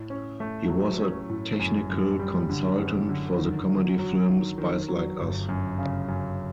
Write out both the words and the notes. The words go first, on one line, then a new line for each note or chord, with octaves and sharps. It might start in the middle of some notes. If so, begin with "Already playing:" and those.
He was a technical consultant for the comedy film "Spies Like Us".
Already playing: A2
C#4
A3
F#3
C#4
A2
F#2
F#2
G3
D3
F#2
D3
D#3
F#3
F#3
D#3
D#3
F#3
G1
F#2
C#3
F#2